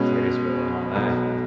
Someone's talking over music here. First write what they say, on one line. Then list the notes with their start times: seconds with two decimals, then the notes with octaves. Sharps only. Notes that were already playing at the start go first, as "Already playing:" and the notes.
Titusville and all that,
Already playing: B2 G#3 C#4
0.95 B1 B2 F#3